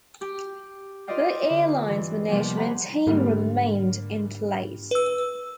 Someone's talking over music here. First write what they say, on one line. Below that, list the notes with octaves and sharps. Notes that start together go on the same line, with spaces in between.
The airline's management team remained in place.
G4
F4 B4 D5 D#5 F5 G5
D3
G2 E3 D4
D#2 C3 F3 G3 B3
G#4 C5 F#5 A#5 B5
G#2 D3 G3 A#3
B4 E6